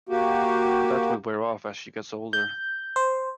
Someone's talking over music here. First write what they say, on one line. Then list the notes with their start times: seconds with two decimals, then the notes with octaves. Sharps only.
But that will wear off as she gets older.
0.09 A#3 F#4 G4
2.33 G6
2.96 C5